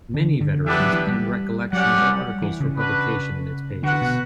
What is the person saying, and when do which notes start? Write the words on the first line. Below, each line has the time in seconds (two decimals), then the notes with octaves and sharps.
Many veterans penned recollections or articles for publication in its pages.
0.14 D3
0.41 D3
0.66 E3 B3 D4 G4 B4 E5
0.80 F#3
0.93 E3
1.07 G3
1.72 F#3 C#4 G4 D5 F#5
1.98 G3
2.42 E3
2.60 C#3
2.78 D4 F#4 B4
3.83 D3 F#4 B4 F#5
4.02 B2